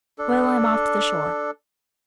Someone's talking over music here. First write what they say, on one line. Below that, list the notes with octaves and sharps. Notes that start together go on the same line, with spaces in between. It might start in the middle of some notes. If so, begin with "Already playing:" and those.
Well, I'm off to the shore.
D4 A4